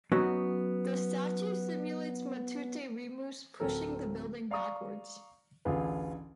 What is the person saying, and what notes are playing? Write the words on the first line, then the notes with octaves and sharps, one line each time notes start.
The statue simulates Matute Remus pushing the building backwards.
F#3 B3 C#4 D#4 F#4
D1 C4 A4 A#4
D5 F5 A#5 C#6 D#6
A1 D2 F4 G#4 B4